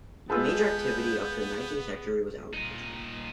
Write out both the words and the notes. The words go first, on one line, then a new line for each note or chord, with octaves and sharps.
The major activity up to the nineteenth century was agriculture.
G#3 B3 F4 G#4 A4 B4 G6
A#2 D#4